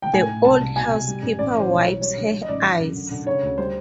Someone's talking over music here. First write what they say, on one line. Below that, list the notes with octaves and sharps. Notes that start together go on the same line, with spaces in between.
The old housekeeper wipes her eyes.
G5
A2 G#5
A2
C2 A5
C2
B2 G#5
C2
G3
G2
A1 D5
E3
C5
B1 C#5
B1
G3 C#5
D3
F#3
D#5
A1 D5
D#3
F#2
D3
D3
C#3 C#5
D2
G3 C5